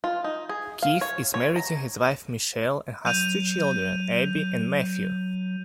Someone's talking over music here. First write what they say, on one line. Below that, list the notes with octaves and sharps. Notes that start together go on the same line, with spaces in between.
Keith is married to his wife Michelle and has two children Abby and Matthew.
F4
D#4
G#4
F5
C#5
C#5
A#5
F#3 G6 D#7 F7